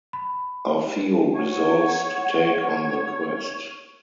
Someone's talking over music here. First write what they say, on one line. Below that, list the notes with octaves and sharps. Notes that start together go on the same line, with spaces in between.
Orfeo resolves to take on the quest.
B5
C#5 F#5